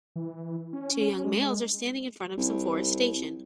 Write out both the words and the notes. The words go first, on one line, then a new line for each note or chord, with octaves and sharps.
Two young males are standing in front of some forestation.
E3
C#4
G#3
C2